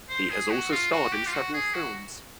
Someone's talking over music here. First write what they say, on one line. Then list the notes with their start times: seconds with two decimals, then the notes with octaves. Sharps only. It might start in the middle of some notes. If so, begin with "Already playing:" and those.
He has also starred in several films.
0.09 C5
0.30 G#4
0.50 F#4
0.72 F4
0.92 F#4
1.12 G4
1.26 F4
1.33 F#4
1.54 G#4
1.74 F#4